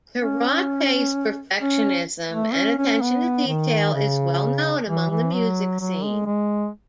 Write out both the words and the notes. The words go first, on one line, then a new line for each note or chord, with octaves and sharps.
Karate's perfectionism and attention to detail is well known among the music scene.
C#4
C#4
A3
C#4
C#4
B3
D#3
C#3
E3
E3
F#3
F#3
G#3
G#3